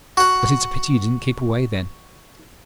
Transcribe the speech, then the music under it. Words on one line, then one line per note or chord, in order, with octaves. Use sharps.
But it's a pity you didn't keep away, then.
F#4 F#5